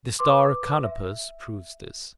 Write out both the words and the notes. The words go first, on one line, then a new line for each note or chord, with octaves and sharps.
The star Canopus proves this.
B4 C6 D6
E5